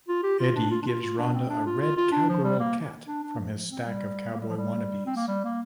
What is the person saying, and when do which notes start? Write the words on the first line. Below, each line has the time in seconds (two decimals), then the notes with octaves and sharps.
Eddie gives Rhonda a red cowgirl cat from his stack of cowboy wannabes.
0.08 F4
0.23 G4
0.39 F4
0.56 D4
0.71 F4
0.82 D4
0.86 F4
1.02 F4
1.18 D4
1.33 C4
1.50 D4
1.66 F4
1.81 F4
1.97 F4
2.12 D4
2.29 F3
2.44 G3
2.60 A#3
3.08 D4
3.23 D4
3.39 F3
3.54 F3
3.71 C4
3.86 G3
4.33 A#3
4.40 G3
4.49 F3
4.57 G3
5.06 C4
5.16 A#3
5.28 G3
5.44 A#3